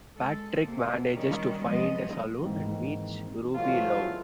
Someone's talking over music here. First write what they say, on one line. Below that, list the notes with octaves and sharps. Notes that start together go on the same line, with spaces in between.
Patrick manages to find a saloon and meets Ruby Lou.
G#3 A4
C3 A#3
D#3 G3 C#4 F#4
F3 F#3 G#3 B3 D#5
G#2 D#3 E3 A#3 C4
C3 E3 F#3 G#3 A3 F4